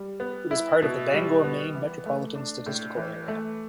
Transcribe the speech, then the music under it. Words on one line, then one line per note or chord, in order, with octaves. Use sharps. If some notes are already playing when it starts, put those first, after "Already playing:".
It is part of the Bangor, Maine Metropolitan Statistical Area.
Already playing: G3
B3
E4
B2
G3
B3
E3
A3
D4
A2
E3
A3